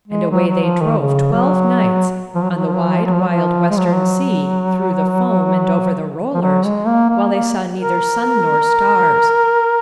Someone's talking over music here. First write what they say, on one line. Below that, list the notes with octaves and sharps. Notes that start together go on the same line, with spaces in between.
And away they drove twelve nights, on the wide wild western sea, through the foam, and over the rollers, while they saw neither sun nor stars.
G#3
F#3
F#3
F3
D#3
C#3
F#3
F3
F#3
F3
F#3
F3
F#3
F3
F#3
F3
F#3
F3
F#3
F3
G#3
F#3
F3
F#3
F3
F#3
G#3
A#3
A#3
A#3
A#4